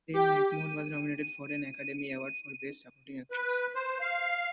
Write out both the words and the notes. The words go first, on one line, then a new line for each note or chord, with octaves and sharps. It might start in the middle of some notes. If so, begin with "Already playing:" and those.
Aline MacMahon was nominated for an Academy Award for Best Supporting Actress.
G4
D#7
B4
C5
F5